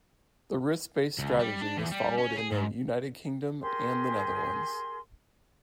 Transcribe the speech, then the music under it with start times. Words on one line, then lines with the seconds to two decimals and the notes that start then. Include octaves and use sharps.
The risk-based strategy is followed in the United Kingdom, and the Netherlands.
1.19 C#2
1.39 G3
1.61 D4
1.78 E2
1.92 G3
2.19 C#4
2.37 G#4
2.52 G#2
3.60 G4 G#4 A#4 C6